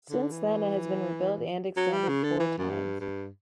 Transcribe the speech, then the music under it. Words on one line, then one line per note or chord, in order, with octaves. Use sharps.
Since then it has been rebuilt and extended four times.
D3
E3
F#3
G3
C#3
D3
E3
F#2
G2
G2